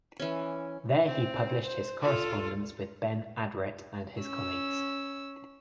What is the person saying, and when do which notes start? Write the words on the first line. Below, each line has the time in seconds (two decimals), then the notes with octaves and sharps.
There he published his correspondence with Ben Adret and his colleagues.
0.20 E3 C#4
1.06 C4
1.65 C5
2.01 F4 A4
4.21 C#4 E6